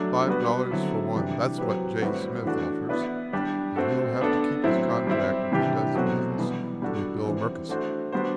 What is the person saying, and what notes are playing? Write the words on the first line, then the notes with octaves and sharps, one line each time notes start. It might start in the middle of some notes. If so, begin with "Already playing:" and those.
Five dollars for one--that's what J. Smith offers, and he'll have to keep his contract if he does business with Bill Murkison.'
Already playing: F#3 A3 D4
G3 B3 F#4 B4
D3 F#3 C4 E4 A4
C3 E3 G3 D4 G4
F#3 C4 G4 B4
A2 G3 C4 F#4 B4
E3 A3 D4 F#4
B3 E4 B4 D5
G3 D4 G4
A3 C4 F#4 A4
B3 D4 A4
A2 F#3 C4 E4
G3 C4 E4
C3 E3 G3 D4 G4
B2 F#3 A3 C4 F#4
E3 G3 B3
G3 D4 F#4 A4
E3 G3 C4
A3 D4 F#4 C5
G3 B3 D4 F#4 C5